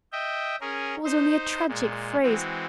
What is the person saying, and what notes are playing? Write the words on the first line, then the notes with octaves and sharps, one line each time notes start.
That was only a tragic phrase....
D#5 E5 G5
C#4 G#4 A#4
D#4 C5
A#2 G#3
E3 G#3 C4 F#4